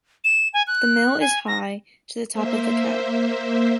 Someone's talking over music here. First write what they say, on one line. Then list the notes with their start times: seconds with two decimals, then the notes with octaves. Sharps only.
The mill is high to the top of the cap.
0.24 E7
0.54 G#5
0.67 F#6
1.21 G#5
1.48 A#6
2.32 A#3 C5 E5